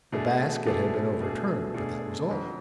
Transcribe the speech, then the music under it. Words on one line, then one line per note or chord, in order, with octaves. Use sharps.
The basket had been overturned, but that was all.
B2 A3 D4 G#4
B2 A3 D4 G#4
B2 A3 D4 G#4
B2 A3 D4 G#4
F2 D3 F#3